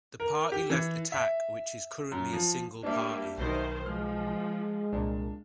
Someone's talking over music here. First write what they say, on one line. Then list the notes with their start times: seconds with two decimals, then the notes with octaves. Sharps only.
The party left Attack which is currently a single party.
0.20 A#4
0.52 G4
0.70 E3
1.12 E5
2.12 F#2
2.33 F3
2.83 G3 A#3 D4 G4 E5
3.37 B1 B2 D#3 C5
3.86 F3 G#3 F6
4.92 C2 A#2 D4